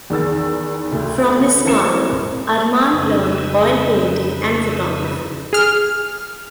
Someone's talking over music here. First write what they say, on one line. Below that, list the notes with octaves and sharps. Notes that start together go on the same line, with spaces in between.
From his father, Arman learned oil painting and photography.
E2 D#3 E6 A6
D2
E3 A#3 C4 A5 C#7 E7
F2 C#3 D#4 B4 E6
G#4 F6